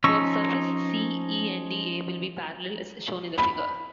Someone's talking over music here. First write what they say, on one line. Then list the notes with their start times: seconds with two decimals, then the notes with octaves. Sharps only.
For surface c, E and dA will be parallel, as shown in the figure.
0.04 F3 C#4 D#4 C#6 E6
3.38 B5